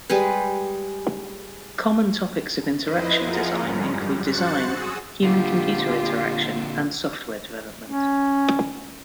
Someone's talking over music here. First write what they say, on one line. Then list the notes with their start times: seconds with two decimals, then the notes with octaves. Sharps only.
Common topics of interaction design include design, human-computer interaction, and software development.
0.10 G3 G#3 G#4 B4
2.80 F2 E4 B4 C5 D#5
3.18 F3 F4 G#4 A#4 F#5 A#5
3.59 G#2 D3 F3 G3 C#4
3.89 F#2 G3
4.22 F#4 C5 F#6 A6 C#7
4.67 F#4 G#4 D#6 E6
5.22 A#2 D3 F4 G4
7.85 C#4